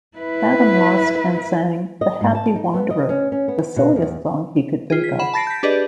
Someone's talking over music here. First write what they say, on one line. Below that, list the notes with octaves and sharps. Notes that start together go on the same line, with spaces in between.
Badham lost and sang "The Happy Wanderer", the silliest song he could think of.
E4 B4
D#5
G#2
A5
D#4
B3
D#5
C#4
C#4
B3
B2
E2
F4 G#4
B6
F#5 B5 E7
A5 B5 A6 A#6 C7 D7
G6 B6
D4 G4 G#4 B4 D5 D#5